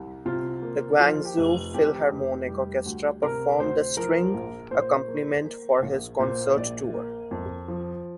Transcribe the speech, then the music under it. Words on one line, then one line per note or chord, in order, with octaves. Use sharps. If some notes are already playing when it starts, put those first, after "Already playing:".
The Guangzhou Philharmonic Orchestra performed the string accompaniment for his concert tour.
Already playing: C2
C3 F4
A#3
F3 F4
G4
F1
F2 G4
F1
G3
D2
C3 A#4
D2 C5
F3 A#4
A#1
A#2 C5
A#3
A#3
A#1
A#2 C5
A#1 D5
A#3
F2
F3